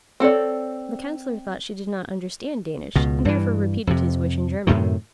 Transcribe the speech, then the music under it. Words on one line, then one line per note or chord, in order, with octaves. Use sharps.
The Councillor thought she did not understand Danish, and therefore repeated his wish in German.
C4 A4 C#5 D5
C#2 B2
G2 E3
F2 C3
F#2 A2 C3 D#3